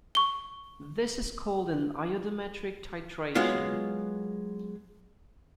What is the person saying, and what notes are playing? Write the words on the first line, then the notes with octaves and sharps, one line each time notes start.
This is called an iodometric titration.
C#6 G7
F#3 G#3 B3 F4 F5